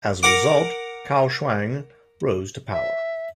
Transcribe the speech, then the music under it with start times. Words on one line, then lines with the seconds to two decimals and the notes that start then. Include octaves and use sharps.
As a result, Cao Shuang rose to power.
0.23 A#4 F#5 D6
2.72 E5